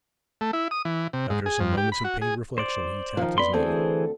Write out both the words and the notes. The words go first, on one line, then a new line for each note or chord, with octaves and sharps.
After some moments of pained reflection he tapped his knee.
A3
E4
D#6
E3
C3
G#2
G#4
F2
G4
B5
F#4
G#4
C5 D5
D#3 F3
B3 D5 B5 C6
D2 E3 C4 G#4 A4 C5